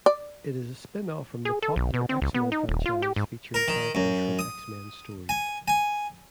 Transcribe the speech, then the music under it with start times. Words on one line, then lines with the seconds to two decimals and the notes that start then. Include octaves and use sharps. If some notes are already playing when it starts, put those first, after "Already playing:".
It is a spin-off from the popular X-Men franchise, featuring characters from X-Men stories.
0.06 D5
1.45 G#4
1.62 A4
1.76 B1
1.94 B2
2.09 C4
2.22 C#2
2.34 B3
2.52 D#4
2.69 D#1
2.86 F4
3.02 G4
3.16 G#2
3.54 A#4
3.68 D#3
3.95 F#2
4.39 D#6
5.29 G#5
5.68 G#5